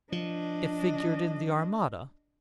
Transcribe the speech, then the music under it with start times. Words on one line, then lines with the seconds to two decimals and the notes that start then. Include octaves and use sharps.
It figured in the Armada.
0.12 F3 D4 D#5